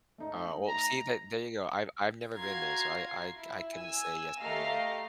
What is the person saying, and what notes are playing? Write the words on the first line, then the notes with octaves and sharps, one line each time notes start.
Oh, well, see that there you go, I've I've never been there, so I I c I couldn't say yes or no.
A3 D#4 D#5
A#5
F4 F#4 A#5 G#6 C7
E4
G#5 E6
A3 G4 D#5 F5 A#5 C7